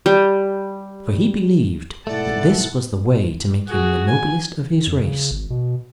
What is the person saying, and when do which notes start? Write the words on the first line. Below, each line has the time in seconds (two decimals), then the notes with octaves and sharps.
For he believed that this was the way to make him the noblest of his race.
0.06 G3
2.07 G#2 B2 A3 E4 A4 D5 F#5
3.67 F#4 G#4
4.08 G#5
4.87 F2
5.04 C#3
5.31 G#1
5.50 B2